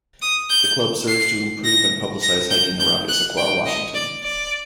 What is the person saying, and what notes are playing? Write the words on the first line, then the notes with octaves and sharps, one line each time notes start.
The club serves to improve and publicize hiking around Issaquah, Washington.
D#6
G6
C7
A#6
A#6
G6
G6
F#6
G5
D#5
D5
D5